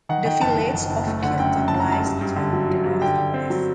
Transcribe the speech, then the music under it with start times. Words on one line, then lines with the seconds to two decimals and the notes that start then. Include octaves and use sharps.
The village of Kirton lies to the north-west.
0.09 D#3 F#5
0.25 D#3 G5
0.41 F#1 A5
0.58 F#1
0.75 F#1
0.90 F#1
1.07 A3
1.22 D3 F#5
1.39 F#2 G5
1.55 F#2
1.68 F#1 A5
1.80 A#5
1.88 F#2 A5
2.05 G2
2.21 G2
2.36 D3
2.53 F#3
2.69 F#3
2.86 G2
3.01 D3 G5
3.18 D3
3.34 C4
3.50 F#3